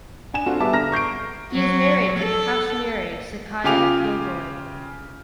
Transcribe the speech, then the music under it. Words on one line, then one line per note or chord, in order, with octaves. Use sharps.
He is married to Kashmiri Saikia Gogoi.
D4 G#5 E7
C4 D4 F4 F#4 A4
G3 B3 G#4 E5 A5 D6
D3 A#5 F6 A#6
C#6 G6 C7 D7
F#3
A4
C#3 F4 G4 G#5 D6 F7